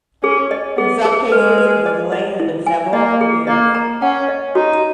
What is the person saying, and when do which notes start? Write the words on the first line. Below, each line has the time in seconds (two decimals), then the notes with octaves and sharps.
In some cases, the delay has been several years.
0.23 C#4 G#4
0.51 D#5
0.77 B3 G#4
1.05 G#4
1.32 G#3 B4
1.58 B4
1.86 D#5
2.12 D#5
2.40 E4
2.66 G#5
2.93 A#3 D#5
3.21 G#4
3.47 A#3 D#5
3.75 A#5
4.02 C#4 F#5
4.28 D#5
4.55 D#4 F#4